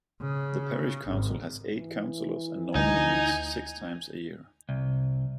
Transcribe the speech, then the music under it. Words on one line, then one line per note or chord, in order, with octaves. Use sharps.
The parish council has eight councillors and normally meets six times a year.
C#3
G#1
E3
D2 D#4 G#5
C2